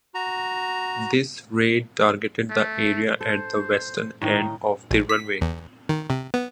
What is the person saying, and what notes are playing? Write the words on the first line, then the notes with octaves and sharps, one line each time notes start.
This raid targeted the area at the western end of the runway.
F#4 A#5
A3
A4 C5
A2 D#3 D#4
A#1
B6
E2
D#3
C3
B3